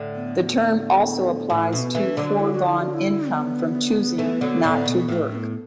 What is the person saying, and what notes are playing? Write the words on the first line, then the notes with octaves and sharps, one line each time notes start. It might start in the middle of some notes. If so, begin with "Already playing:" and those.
The term also applies to foregone income from choosing not to work.
Already playing: A2 D3
B3
D4
B3
A2 E4 F#4
B2
B3
E3 A3
D4
D3 F#3
E4
F#4
E4
F#4
E4
B3
E3 A3
D3 F#3
A2 D3
B2
A2 A3 B3
D4
B3